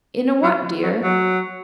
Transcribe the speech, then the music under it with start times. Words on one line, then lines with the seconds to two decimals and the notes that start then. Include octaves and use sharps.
"In a what, dear?"
0.43 F#3
0.83 F#3
1.04 F#3